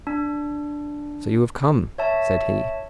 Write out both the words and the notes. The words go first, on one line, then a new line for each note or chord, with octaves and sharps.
"So you have come?" said he.
D4
C#5 E5 A5